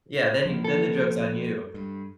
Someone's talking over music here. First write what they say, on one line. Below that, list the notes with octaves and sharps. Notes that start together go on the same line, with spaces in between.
Yeah, then then the joke's on you.
F3 A#3
A4
G2